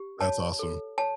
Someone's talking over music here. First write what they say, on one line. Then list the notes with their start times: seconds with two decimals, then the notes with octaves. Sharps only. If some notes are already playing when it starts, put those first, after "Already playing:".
That's awesome.
Already playing: G4
0.21 C#5 A5
0.59 A4
0.98 C#5 A5